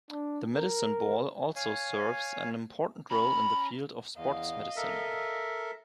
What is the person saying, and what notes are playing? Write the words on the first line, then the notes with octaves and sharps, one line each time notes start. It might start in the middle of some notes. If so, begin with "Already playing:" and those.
The medicine ball also serves an important role in the field of sports medicine.
D4
A#4
C#5 F5 G#5
C#4 A#5 B5
E2 D#5 F5
A4 A#4 E5